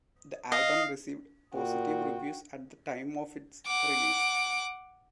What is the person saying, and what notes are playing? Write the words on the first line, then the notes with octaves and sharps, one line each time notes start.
The album received positive reviews at the time of its release.
D#5 F5
A#2 F#4 G5
F#5 D6